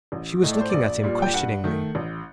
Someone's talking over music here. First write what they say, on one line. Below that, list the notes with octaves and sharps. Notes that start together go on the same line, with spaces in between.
She was looking at him questioningly.
A1
A2 A3 D#5
D5
C5
A#1 D5
A#2 G3
G5
G2 F#5
D#3 A3
A1